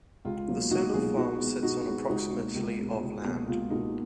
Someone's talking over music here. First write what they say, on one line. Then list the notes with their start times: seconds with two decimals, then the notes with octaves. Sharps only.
The solar farm sits on approximately of land.
0.25 C#2 F4
0.48 B2 F#3 A#3
0.71 C#2 D#4 F#4
0.94 B2 F#3 A#3 F4 G#4
1.17 B2 D#4 F#4
1.40 G#3 B3
1.63 B2 D#4 F#4
1.86 G#3 B3
2.09 C#2 D#4 F#4
2.32 B2 A#3
2.55 C#2
2.79 B2 A#3
3.01 C#2
3.24 B2 A#3
3.48 C#2 F4
3.70 B2 A#3 D#4